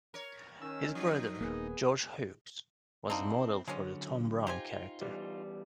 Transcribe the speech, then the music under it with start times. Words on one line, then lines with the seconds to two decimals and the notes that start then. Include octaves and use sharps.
His brother, George Hughes, was the model for the Tom Brown character.
0.14 A#4 C#5
0.62 D#3 C#4 E6
0.95 F3 D#4
1.41 D#1 A#3 B3 G#4
3.10 D3 F3 C4 D#4 E4
3.68 D3 F#3 G#3 B3 C#4
4.47 D#4 F4 G4 C5 G#5
5.01 E2 G3